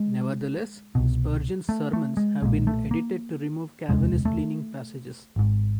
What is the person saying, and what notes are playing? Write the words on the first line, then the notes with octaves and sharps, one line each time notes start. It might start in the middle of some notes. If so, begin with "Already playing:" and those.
Nevertheless, Spurgeon's sermons have been edited to remove Calvinist-leaning passages.
Already playing: G#3
C2 B2
A3
A3
G#3
B1 A#2 G#3
A3
A#3
E1 D2 C3 G#3
A3
G#1 G#2